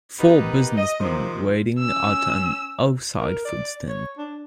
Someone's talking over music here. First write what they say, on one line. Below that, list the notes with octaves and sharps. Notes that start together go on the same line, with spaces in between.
Four businessmen waiting at a outside food stand.
A#3 B3 D#4 G4 B4
D#5
D#2 C3 D#3 F3
C#4 E6
A#4
D5
C#5
D4